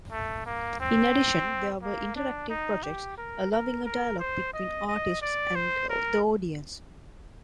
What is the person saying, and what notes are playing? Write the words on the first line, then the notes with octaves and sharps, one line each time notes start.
In addition, there were interactive projects, allowing a dialogue between artists and the audience.
A3
A#3
C4
A#3
D4
D#4
G4
A#4
A#4
A#4
C5
D#5
D#5
D5
C5
A#4